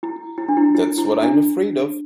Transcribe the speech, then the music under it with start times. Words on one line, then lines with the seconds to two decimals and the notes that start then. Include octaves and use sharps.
That's what I'm afraid of.
0.03 E4
0.38 E4
0.48 D4
0.57 E4
0.75 E4
0.98 E4
1.23 D4